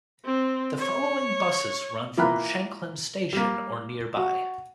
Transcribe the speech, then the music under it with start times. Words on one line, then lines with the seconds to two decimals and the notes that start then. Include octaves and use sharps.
The following buses run from Shanklin Station or nearby.
0.25 C4
0.78 C#5
2.18 E3 A#3 F4 A#4 B5 F#6
3.33 G3 A#3
4.17 F#4